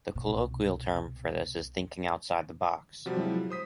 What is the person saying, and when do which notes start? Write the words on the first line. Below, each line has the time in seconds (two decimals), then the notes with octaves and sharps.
The colloquial term for this is thinking outside the box.
0.15 C2 B2
3.06 C3 F3 G3 F#4
3.17 F#3 G#3 E4
3.50 C5 D#6 B6